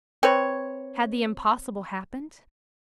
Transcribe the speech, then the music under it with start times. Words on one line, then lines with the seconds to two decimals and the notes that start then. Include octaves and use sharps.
Had the impossible happened?
0.23 C4 B4 C#5